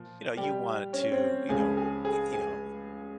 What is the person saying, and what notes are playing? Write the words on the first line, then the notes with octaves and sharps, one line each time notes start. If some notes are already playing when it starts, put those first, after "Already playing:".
you know, you want to, you know y you know,
Already playing: A#2 F3
G3 G4
C#4 C#5
C4 C5
C#2 C#3 F3 G#4 G#5
G#4 G#5
G#4 G#5
G#4 G#5